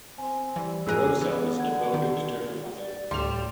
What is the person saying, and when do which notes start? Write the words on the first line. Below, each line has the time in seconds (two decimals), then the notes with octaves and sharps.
Rosa was devoted to her mother.
0.18 C4 G#5
0.56 E3 G3
0.87 F2 G#2 G#4 A#4 E6 F#6 D#7
1.21 E3 B3
1.57 D3 F#5 G#6
1.94 D#3
2.79 D5
3.11 D2 A2 G3 C6 E7 F7